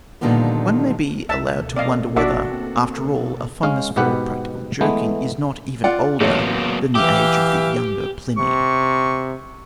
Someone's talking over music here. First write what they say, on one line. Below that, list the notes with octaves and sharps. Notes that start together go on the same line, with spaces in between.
One may be allowed to wonder whether, after all, a fondness for practical joking is not even older than the age of the younger Pliny.
A#2 D3 D#3 F3 G3 B3
C#2 B2 A#3 A4 E5 A5
C4 D5 D#5 F5
G#1 D4 F#4 D5 E5
C4
G#3 C#4 F5
G#2 B2 B3 G4 B4 F#5
E3 G#3 A3 B3
F4 D5 F#5
A1 F#3 A#3 B3 C#5
E3 G4 E5 F5 D6
C3 C#6